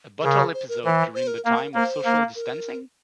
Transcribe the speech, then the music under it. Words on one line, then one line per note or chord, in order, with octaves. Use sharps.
A bottle episode during the time of social distancing?
C#3 A#4
C5
A#4
E3 C5
C5
A#4
A#3
A#4
A#3 C5
A#3
A#4